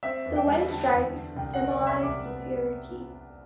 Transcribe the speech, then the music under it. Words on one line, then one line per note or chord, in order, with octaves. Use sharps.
The white stripes symbolize purity.
C4 E5
E2
G5
G3
D3 A5
E2
D3
C2 G5
F#5
B3
D5
C3
E5
C2 D6
B3